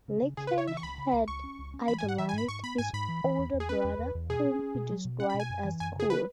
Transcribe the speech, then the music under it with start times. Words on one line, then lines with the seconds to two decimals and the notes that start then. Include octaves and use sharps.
Larkin had idolized his older brother, whom he described as "cool".
0.08 C#3
0.22 C#3
0.37 C#3 G#4
0.47 B4
0.53 C#3
0.58 C#5
0.67 E3 E5
0.77 C#6
0.83 C#2 B5
0.98 C#3
1.13 C#2
1.28 C#2 C#6
1.44 C#4
1.59 C#2
1.74 C#4
1.88 E3 B5
1.98 G#5
2.03 G#2
2.09 F#5
2.18 E3 E5
2.29 G#5
2.33 G#2
2.38 B5
2.48 G#2 C#6
2.63 B3 B5
2.78 G#2 G#5
2.93 G#2 B5
3.08 E3
3.24 E3
3.38 E2
3.54 E2
3.60 G#4
3.69 C#4 B4
3.84 E2
3.99 E2
4.15 E2
4.29 B2 G#4
4.45 C#4
4.59 C#4
4.75 B2
4.90 F#3
5.05 B2
5.20 C#4 F#5
5.30 B5
5.34 B2
5.40 G#5
5.50 F#2
5.64 E3
5.80 F#2 G#5
5.95 C#3 G#4
6.10 B4